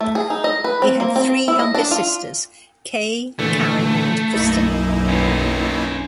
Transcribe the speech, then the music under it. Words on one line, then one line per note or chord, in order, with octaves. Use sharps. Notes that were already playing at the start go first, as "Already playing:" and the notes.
He had three younger sisters, Kay, Karen and Kristen.
A3
G#4
D#4
D#5
B4
C4
A#3
C4
E4
D#5
D4
F4
A#2 D3 E3 A3
B1 F#2 A#3 D#4 E4
C#4 B4